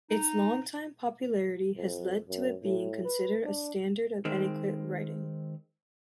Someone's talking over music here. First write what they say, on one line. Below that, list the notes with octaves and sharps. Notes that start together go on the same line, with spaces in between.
Its longtime popularity has led to it being considered a standard of etiquette writing.
D#4
F2
F#2
A2
B4
D4
D#3 G#3 C4